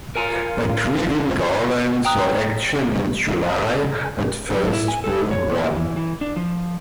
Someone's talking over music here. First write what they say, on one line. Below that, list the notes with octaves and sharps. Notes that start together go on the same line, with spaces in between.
A grieving Garland saw action in July at First Bull Run.
F4 A#4 G#5 A#5
G5 A#5 D#6 F#6
F#2
E4
G#5
A4
C#5
A#2
E3
E3
D4
F3